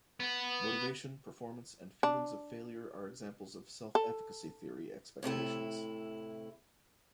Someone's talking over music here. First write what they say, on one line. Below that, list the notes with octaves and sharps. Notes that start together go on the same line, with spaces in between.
Motivation, performance, and feelings of failure are examples of self-efficacy theory expectations.
B3
D4
A4
A2 C3 A3 E4